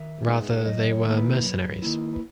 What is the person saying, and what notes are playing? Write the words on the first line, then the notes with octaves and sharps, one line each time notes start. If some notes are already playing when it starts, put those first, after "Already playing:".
Rather they were mercenaries.
Already playing: D#3 E5
G#3 B3 D#4
C#5
F#2 D#5
C#5
D#3 A#3 E4
B4
F#2
D#3 A#3 E4
B4